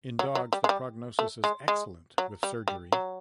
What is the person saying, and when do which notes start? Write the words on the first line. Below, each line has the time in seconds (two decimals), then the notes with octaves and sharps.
In dogs, the prognosis is excellent with surgery.
0.19 F#3
0.35 F#3
0.53 G3
0.64 G#3
0.69 G3
1.19 A3
1.44 G#3
1.68 G#3
2.18 F#3
2.43 G3
2.68 G3
2.92 F#3